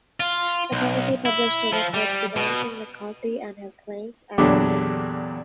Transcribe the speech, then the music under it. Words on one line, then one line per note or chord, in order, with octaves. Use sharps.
The committee published a report denouncing McCarthy and his claims as a hoax.
F4
B1
E4
F3
G3
B2
E2 A#2 D3 F#3 D4 G4